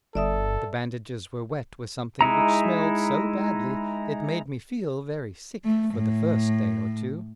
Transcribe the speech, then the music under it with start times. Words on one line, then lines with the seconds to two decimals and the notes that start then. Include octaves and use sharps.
The bandages were wet with something which smelled so badly it made me feel very sick, for the first day or two.
0.15 G1 A4 D5 E5 D#6
2.21 G#3 D#4 E4 A#5
5.65 A3
5.95 A2